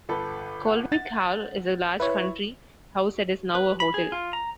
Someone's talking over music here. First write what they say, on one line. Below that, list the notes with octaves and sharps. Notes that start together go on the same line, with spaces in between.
Colwick Hall is a large country house that is now a hotel.
G1 A4 B4
F#5
A6
E4 B4 C#5
B4
B5
G#4
F4
A#5